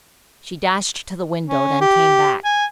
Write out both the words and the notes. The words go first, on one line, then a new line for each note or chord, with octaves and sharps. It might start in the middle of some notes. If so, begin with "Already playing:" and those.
She dashed to the window, then came back.
C#4
G4
G#5